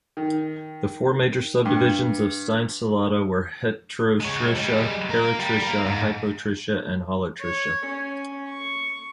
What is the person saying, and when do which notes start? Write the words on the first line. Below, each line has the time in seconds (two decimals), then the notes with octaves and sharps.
The four major subdivisions of Stein's Ciliata were: Heterotricha, Peritricha, Hypotricha and Holotricha.
0.17 D#3
1.65 G2
4.20 G#3 C#5
4.56 G3 G#3
5.10 A#3 A#4
5.39 G3
5.63 A#4 F5
5.86 G#2
7.41 C#5
7.86 C#4
8.49 C#6